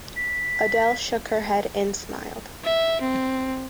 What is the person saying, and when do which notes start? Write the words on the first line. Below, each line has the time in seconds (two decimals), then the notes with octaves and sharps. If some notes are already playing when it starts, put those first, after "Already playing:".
Adele shook her head and smiled.
0.16 B6
2.64 E5
3.01 C4